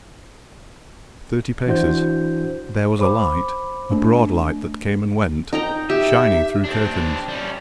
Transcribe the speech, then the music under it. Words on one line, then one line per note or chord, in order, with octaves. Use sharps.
Thirty paces--there was a light, a broad light that came and went, shining through curtains!
E3 D4 E4 F#4 C5 G6
C5 B5 D6
A3 D4
D#4 G5 A#5
G4 E5
C4 D4
G3 C#4